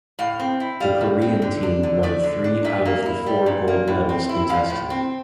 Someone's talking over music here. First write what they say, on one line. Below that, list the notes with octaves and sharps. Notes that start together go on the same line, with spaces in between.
The Korean team won three out of the four gold medals contested.
A2 F5
C4
E4
G3 F5
A2
C4
D3
D4
D3
A3 D5
D3
D4
A#2 E5
A#3
E4
G3
A#2
A#3
A2
C4
E4
F3 F5
A2
C4